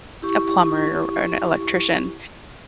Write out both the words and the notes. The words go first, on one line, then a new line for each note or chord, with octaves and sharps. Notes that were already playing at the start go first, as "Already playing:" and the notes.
a plumber or a an electrician,
E4 G4 C#6